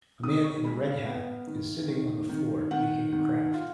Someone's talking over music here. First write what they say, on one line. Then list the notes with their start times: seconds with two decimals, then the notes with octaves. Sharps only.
A man in a red hat is sitting on the floor making a craft.
0.23 D#3 D#6
0.44 C#6
0.64 G#3 B5
0.85 F5
1.06 B3
1.47 D#3
1.88 D#3
2.29 D#3
2.71 D#3 F#5
3.13 D#3
3.54 F4